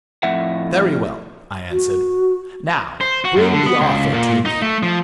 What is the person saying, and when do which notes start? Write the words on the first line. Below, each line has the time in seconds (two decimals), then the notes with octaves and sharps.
"Very well," I answered; "now bring the author to me."
0.23 F2 A2 E5 F#5
1.71 F#4
3.01 C5
3.25 F#4
3.36 F#2
3.53 D3
3.66 B3
3.81 C#2
4.14 A#2
4.45 D#4
4.62 A3
4.83 F3